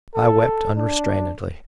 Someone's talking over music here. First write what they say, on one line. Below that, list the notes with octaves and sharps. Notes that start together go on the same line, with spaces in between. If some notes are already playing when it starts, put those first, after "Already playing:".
I wept unrestrainedly.
A4
D4